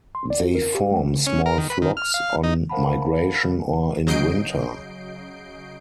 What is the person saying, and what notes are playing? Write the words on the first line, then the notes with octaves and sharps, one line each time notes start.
They form small flocks on migration or in winter.
C6
D5
F#4
A#4
G4
G#3
C#4
A#4
D#3
B4
D#3
F6
F5
D#4
A#4 C5 F5 F#5 A5 B5
C#3 F#3 D#5 G6 C7 D7